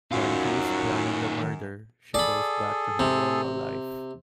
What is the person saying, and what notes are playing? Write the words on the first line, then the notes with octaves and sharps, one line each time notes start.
While he is planning the murder, she goes back to her normal life.
F#2 D#3 F4
G#4 A4 D5 B5
C3